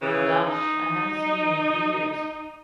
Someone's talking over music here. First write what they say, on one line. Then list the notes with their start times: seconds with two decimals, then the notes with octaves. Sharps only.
Gosh I haven't seen you in three years.
0.01 C#3 E3
0.47 D#4